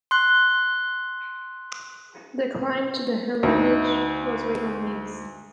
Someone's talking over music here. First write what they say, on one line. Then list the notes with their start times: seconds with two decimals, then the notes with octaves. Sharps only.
The climb to the hermitage was made on knees.
0.11 C6 F#6
3.43 D2 D#4